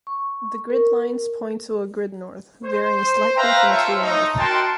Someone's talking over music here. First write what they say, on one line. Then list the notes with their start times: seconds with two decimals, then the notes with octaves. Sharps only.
The grid lines point to a Grid North, varying slightly from True North.
0.07 C#6
0.70 A#4
2.65 C5
3.36 B4 E5 F5 G5 A#5
3.69 F4 A4 C5 C#5 E5
4.02 A3 D#4
4.38 F#4 A#4 G5 A5 C6